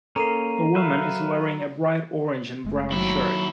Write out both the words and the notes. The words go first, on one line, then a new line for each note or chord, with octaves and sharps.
A woman is wearing a bright orange and brown shirt.
A#3 C#4 A4 A#4 A#5 C7 D#7
F#3 B4 E5 F5
F#1 G#3 A3
D#2 F#3 E4